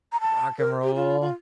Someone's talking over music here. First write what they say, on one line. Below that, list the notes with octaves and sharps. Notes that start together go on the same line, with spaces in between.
Rock and Roll,
A#5
A5
A#4
G4
F4
F4